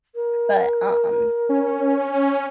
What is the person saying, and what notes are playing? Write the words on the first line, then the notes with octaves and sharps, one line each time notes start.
but, um um,
A#4
C#4